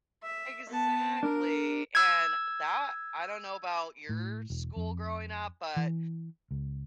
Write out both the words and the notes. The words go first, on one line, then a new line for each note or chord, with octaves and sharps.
Exactly, and that, I don't know about your school growing up, but
E5
B3 A5
D4 A#4
E6 G#6
A2
E1
F2
E3
C#2